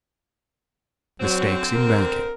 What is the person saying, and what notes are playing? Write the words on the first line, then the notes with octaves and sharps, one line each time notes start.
Mistakes in Banking.
D3 F#3 C4
A#4